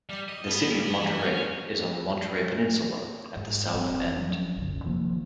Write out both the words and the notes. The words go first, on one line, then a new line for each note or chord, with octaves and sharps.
The city of Monterey is on the Monterey Peninsula at the south end.
G3
D#5
B3
G2
B3
E3
C#4
C#4
G#2
F1 A#2 C4
F3 F#3 C#4
F1 C2 F#2 D3
C3 D#3 F3 A#3